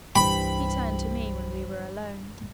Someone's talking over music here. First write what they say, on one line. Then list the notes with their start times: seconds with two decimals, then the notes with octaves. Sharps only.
He turned to me when we were alone.
0.15 C2 G2 E3 G3 C5 G5 B5